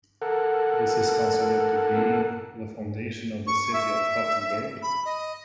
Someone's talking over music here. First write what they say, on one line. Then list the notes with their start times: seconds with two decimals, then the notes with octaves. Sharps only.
This is considered to be the foundation of the city of Papenburg.
0.22 A4 A#4 F#5
3.47 C#6
3.73 E5
4.82 B5
5.05 D#5